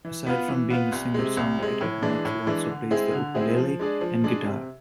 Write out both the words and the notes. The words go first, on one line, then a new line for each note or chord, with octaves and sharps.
Aside from being a singer-songwriter, Matthew also plays the ukulele and guitar.
E3
B3 F4 B4
E3
B3 F4 B4
C2
C3 G#3
C2
C3 G#3
A2
E3 G#3 D4
A2
E3 G#3 D4
D3
G#3 C4 E4 G#4
D3
G#3 C4 E4 G#4
F3
G#3 D4 G#4 D5
F3
G#3 D4 G#4 D5
C3